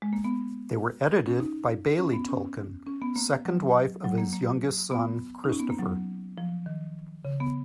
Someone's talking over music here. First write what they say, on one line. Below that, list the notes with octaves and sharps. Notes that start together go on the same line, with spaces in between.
They were edited by Baillie Tolkien, second wife of his youngest son, Christopher.
G#3
A#3
B3
C#4
D#4
C#4
B3
C#4
C#4
B3
A#3
F#3
F#3
A#3
A#3
B3
D#4
C#4
B3
A#3
F#3
F3
D#3
C#3
B3